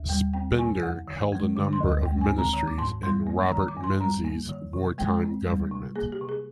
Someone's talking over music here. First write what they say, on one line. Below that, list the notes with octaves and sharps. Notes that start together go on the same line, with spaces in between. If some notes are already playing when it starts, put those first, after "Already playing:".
Spender held a number of ministries in Robert Menzies' wartime government.
Already playing: D#2
G3 G5
C4 G5
C3 G#5
F2
D#3
G#3
D3 D6
C6
D2
G#3 G5
G#5
C4
A#5
D#3 A#5
D6
G#2 C6
G3 C6
A#3
D#3 A#5
D6
G2
C6
G3 A#5
A#3
D#3
C3
G#3 G5
C4
G3
C3
A#3 G#4
G4
C3
G#4